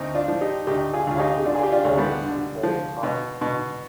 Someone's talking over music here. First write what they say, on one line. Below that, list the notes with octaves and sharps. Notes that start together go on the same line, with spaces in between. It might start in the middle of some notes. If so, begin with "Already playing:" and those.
Active are players in bold type.
Already playing: D2 C4 D#4
D4 F4
F3
D#4 G4
D2 D#4 G4
F4 G#4
D2 F4
D#4 G4
D3 D4 F4
G#4
G4
D4 F4
D2
G3 B3
D3
F3
B2
B2